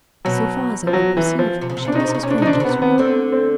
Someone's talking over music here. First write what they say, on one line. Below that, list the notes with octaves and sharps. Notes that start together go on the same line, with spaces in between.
So far as I could perceive she was a stranger to me.
B2 F#3
F3
F#3
E3
F3
C3
C#3
C3
C#3
D4
C3
C#3 D#4
C3
C#3
C3 C#4
C#3 D4
C3
D#4
C#3 D4
C3
C#3
C3 B3
B3
D2 D3 C4
C4